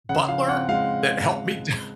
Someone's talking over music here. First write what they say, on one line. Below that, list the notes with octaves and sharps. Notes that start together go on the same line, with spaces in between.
butler that helped me down
C#3 F#5
F3 F5
C4 F#5
G#3 F5